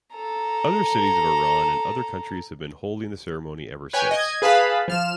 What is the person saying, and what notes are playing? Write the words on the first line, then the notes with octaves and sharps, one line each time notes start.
Other cities of Iran and other countries have been holding the ceremony ever since.
A4 A#5
B4 C#5 G5 G#5
D#5 G#6
G#4 B4 F5 A5 B5
F3 F6 E7